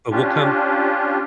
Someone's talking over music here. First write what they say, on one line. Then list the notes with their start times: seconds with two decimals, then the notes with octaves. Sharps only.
and we'll come
0.11 C#4 D4 F4 G4